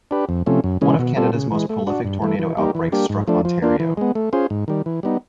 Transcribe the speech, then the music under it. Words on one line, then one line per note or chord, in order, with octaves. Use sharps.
One of Canada's most prolific tornado outbreaks struck Ontario.
D4 G4 B4
F2
C3 F3 A3 C#4
F#2
C#3 E3 G#3 C#4
B2
G3 C4 F4 A4
C#3
E3 G#3
A3
D4 F#4
G2
E3 A3
E3
G3 A#3 D#4 G4
E3
G3 A#3 D4 G4
G#2
F3 A3 D4
F3
A#3 D4 F4
E3
G#3 B3
A3
C#4 F4 G#4 C5
G#2
D#3 G3
E3
G3 B3 D#4